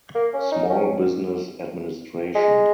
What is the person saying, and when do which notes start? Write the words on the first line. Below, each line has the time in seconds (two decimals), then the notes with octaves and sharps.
Small Business Administration.
0.15 A#3
0.34 C#4
0.52 D#4
0.70 C#4
2.35 G#3